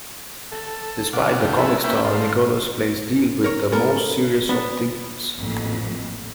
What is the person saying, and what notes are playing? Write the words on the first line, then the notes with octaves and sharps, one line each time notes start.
Despite the comic style, Nichols' plays deal with the most serious of themes.
A4
B2 F5 F#5 D6
F2 D3 A3 F5 G5
F3 B3 E4 G#4 A4 E5
A#3 C#4 E4 B4 E5 G5
G#2 A4 F5 C6
A#4 C#5
B3 C#4 A4 A#4
B3 D4
A1 F2 A#2